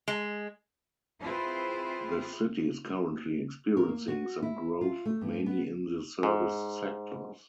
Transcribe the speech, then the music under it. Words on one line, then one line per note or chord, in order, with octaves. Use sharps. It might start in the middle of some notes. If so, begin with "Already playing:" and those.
The city is currently experiencing some growth mainly in the service sectors.
G#3
C4 E4 F4 G#4 B4 C5
A#4
A#3
F#4
E4
F4
A3
G2
B3
G#2